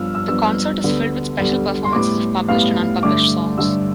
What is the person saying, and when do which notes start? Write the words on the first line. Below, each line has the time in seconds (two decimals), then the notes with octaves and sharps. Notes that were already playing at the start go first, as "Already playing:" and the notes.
The concert is filled with special performances of published and unpublished songs.
Already playing: G2 F3 B3 E6 F6
0.15 E6
0.28 G2 F3 B3 E6
0.84 D2 D3 G3 B3
1.38 D2 D3 G3 B3
1.84 C6
1.93 A2 G3 B3 D6
2.48 A2 G3 B3 F5
3.03 G2 D3 A3 D6
3.58 G2 D3 A3 E6